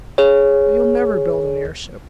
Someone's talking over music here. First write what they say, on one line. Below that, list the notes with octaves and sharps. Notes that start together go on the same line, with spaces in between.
"But you'll never build an airship!"
G#4 C#5